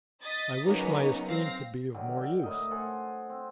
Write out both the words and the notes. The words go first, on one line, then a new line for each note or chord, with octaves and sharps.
I wish my esteem could be of more use.
D#5 D#6 A6 B6
C#3 F#3 A#3 B3 C#4 D#4
C4 F5 A#6
D3 D#3 F#3 G4
E5 G5
A2 A#4 D#5
A4 C5 F#5 G#5
C4